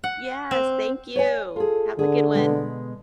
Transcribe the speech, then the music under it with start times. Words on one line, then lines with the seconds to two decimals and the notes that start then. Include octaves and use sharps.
Yes, thank you. Have a good one.
0.04 F#5
0.51 C4
1.16 C#5 D5 G#5
1.56 F4 G#4 A4
1.99 D3 G#4
2.35 B2 G#3